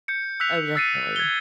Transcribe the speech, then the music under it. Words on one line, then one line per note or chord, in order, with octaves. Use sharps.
Oh, definitely.
G6 C#7
E6 F#6 B6 F7
E6 F#6 A6 C7 C#7 D#7
G#6 G7